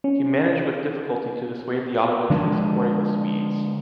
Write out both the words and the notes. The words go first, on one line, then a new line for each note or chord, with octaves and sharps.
He managed with difficulty to dissuade the Ottomans from supporting the Swedes.
C#4
D3 F3 G#3 D4